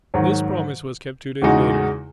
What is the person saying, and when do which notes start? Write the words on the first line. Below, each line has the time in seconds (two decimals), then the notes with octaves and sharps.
This promise was kept two days later.
0.14 G#2 D#3 F#3
1.42 E2 C#3 G#3 D#4 F#4